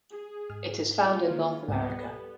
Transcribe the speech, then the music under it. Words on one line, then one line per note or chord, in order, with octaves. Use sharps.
It is found in North America.
G#4
G#2 F6
G#3 C#4 F4
D#3 A#3
C#2 G#2 G3 B3 D5 F#5 G#5
A4 B4 D5